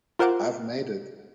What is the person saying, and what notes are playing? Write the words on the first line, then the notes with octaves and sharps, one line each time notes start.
I've made it.
F4 A#4 C5 F#5 D6